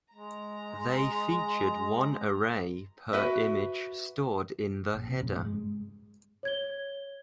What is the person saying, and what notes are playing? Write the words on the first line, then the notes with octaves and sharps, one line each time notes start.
They featured one array per image stored in the header.
G#3 A#5
F#4 B4 E5
A#1
C3
G1 F2 A#2 C#3
F1 G2 G#3
G#3
C#5 G#6 G7